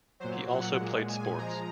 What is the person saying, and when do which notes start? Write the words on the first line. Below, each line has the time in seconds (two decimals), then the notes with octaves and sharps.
He also played sports.
0.20 A#2 F#3 C5
0.49 F#5
0.79 A#2 G#3
1.09 G#5
1.38 F3 G#3 A#5